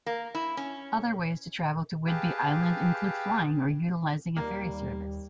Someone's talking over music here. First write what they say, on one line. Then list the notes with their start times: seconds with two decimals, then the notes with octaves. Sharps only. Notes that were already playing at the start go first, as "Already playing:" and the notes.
Other ways to travel to Whidbey Island include flying or utilizing a ferry service.
0.06 A#3
0.35 E4
0.57 C#4
2.07 G4 G#4 B4 F5 G5 A5
4.37 D#2 G3 A#3